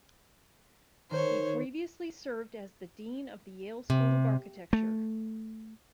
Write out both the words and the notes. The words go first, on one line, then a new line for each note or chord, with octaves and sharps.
He previously served as the Dean of the Yale School of Architecture.
D#3 C5 C#5
C3
A3